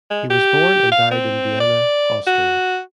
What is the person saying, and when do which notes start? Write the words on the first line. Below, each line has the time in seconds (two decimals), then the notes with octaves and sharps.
He was born and died in Vienna, Austria.
0.10 G#3
0.30 G4
0.92 F5
1.11 C4
1.60 D5
2.27 F#4